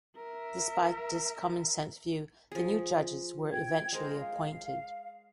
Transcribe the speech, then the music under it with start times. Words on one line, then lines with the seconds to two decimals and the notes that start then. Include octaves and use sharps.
Despite this common-sense view, the new judges were eventually appointed.
0.17 A#4 E5
2.52 F3 G#4
3.50 G5 G#6
3.92 G#3 A#4 C5
4.20 F5